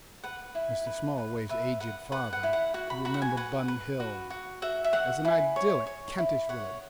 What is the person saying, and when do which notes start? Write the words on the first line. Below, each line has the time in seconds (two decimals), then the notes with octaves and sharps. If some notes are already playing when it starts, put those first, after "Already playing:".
Mr. Smallways' aged father, could remember Bun Hill as an idyllic Kentish village.
0.24 B4 F#5
0.55 E4
0.87 B4
1.18 B4
1.49 B4 E5
1.80 B4 F#5
2.12 B4 F#5
2.33 F#5
2.43 E4
2.53 F#5
2.74 F#4 F#5
2.90 B5
3.05 F#4 B5
3.14 F#5
3.22 G#5
3.37 B4 F#5
3.68 B4
4.00 F#4
4.30 F#4
4.62 F#4 E5
4.84 E5
4.93 F#4 F#5
5.25 E4 G#5
5.56 C#5
5.87 C#5
6.18 E4
6.49 C#5 F#5